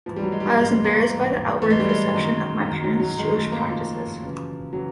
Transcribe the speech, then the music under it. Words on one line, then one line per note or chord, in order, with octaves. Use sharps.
I was embarrassed by the outward perception of my parents' Jewish practices.
G#2 E3 F3
G3
F#3
G#3
G3
G#2 E3 G#3
A#3
G#2 E3
G#2 E3 A3
G#3
G3
G#3
F#2 D#3
D#3
F#2
F#3
F#3
F#2 D#3 G#3
A3
A#3
F#2 D#3 F3
F#2 C#3 E3
C#3 E3 F#3